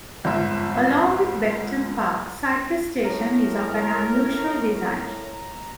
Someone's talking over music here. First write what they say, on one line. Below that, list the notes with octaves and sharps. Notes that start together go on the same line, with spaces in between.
Along with Beckton Park, Cyprus station is of an unusual design.
G1 F2 G#2 E5
A2 A#4 A#5